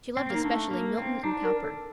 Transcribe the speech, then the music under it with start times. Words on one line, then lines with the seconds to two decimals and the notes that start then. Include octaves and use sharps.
She loved especially Milton and Cowper.
0.17 C4
0.30 A#3 D#4
0.44 A3 D4
0.71 A#3
0.97 C4
1.24 D4 D#4
1.44 A#4
1.63 A4